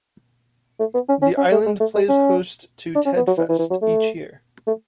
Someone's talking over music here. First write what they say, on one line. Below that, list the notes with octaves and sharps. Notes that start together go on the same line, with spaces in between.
The island plays host to Ted Fest each year.
A3
B3
C#4
C#4
C#4
A3
G#3
A3
G#3
C#4
D4
C#4
B3
F#3
E3
E3
E3
F#3
A3
A3